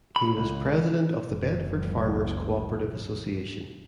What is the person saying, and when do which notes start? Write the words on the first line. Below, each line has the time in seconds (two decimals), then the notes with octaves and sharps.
He was president of the Bedford Farmers' Cooperative Association.
0.16 B5
0.37 C#2
1.27 F#1 C#2 E3